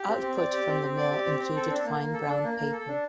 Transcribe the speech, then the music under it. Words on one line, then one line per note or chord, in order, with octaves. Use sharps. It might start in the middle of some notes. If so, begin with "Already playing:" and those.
Output from the mill included fine brown paper.
Already playing: G4
C4
C4
D5
G4
C4
C4
D5
G4
C4
C4
A4
D4
A#3
A#3
A4
D4
A#3
A#3
A4
D4